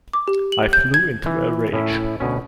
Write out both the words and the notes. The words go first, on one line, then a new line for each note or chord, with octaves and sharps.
I flew into a rage.
D6
G4
F#7
G6
G#6
E3
A2 C#4 E4
D2 B2 C#4